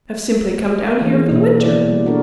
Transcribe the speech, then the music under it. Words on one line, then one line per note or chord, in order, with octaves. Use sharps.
I've simply come down here for the winter.
E3 A#3 C5 C#5
G#4
B2 A#3 B3
E4 D5
G3
D4 F#4 A4 A#4 D5